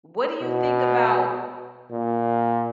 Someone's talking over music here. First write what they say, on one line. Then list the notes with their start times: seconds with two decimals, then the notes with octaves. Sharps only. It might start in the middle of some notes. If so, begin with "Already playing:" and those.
What do you think about
0.41 B2
1.91 A#2